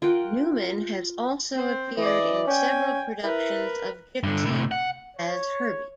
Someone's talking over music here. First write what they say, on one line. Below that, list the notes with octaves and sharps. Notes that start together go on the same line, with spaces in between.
Newman has also appeared in several productions of "Gypsy" as Herbie.
F4 A#4 F#5 G5
C4 C5
E3 D5 D#5
C#4 G5 G#5
E4 A#4 B4
G2 D3
A2 C3
F#5
C#5